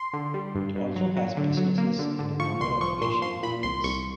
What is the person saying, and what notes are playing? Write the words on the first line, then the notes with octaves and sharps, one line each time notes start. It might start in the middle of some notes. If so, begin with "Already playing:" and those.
It also has businesses in a number of Asian markets.
Already playing: C6
D3
G3
G2
G2
F#3
F#3
D3
F#3
A#3
D3
D3
F3 C#6
C2 C6
F3 C#6
A#2 C6
F3 C6
A#2 B5
C2 C6
C2 C#6